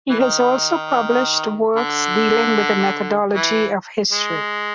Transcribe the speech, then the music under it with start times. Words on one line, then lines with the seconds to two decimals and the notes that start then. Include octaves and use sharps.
He has also published works dealing with the methodology of history.
0.10 E3
0.19 D#3
1.76 D3
3.34 E3
4.12 G#3